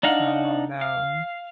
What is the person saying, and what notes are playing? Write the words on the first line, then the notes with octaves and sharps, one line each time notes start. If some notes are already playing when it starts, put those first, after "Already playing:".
Oh no,
D4 D#4 F5 F#5
F5